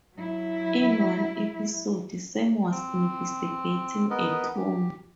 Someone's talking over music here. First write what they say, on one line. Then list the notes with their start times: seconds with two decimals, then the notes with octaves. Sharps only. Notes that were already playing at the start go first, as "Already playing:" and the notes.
In one episode, Sam was investigating a clone.
0.15 F#3 E4
2.71 C4
4.10 B3 A#4 B4 D#5
4.56 G4